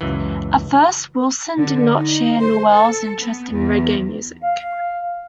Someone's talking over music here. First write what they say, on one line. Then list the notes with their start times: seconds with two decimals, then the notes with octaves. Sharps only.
At first, Wilson did not share Nowell's interest in reggae music.
0.01 C#2 F#2 E3
1.58 D3
1.94 D#4
2.39 C5
2.72 A4
3.19 B3
3.51 E2
4.42 F5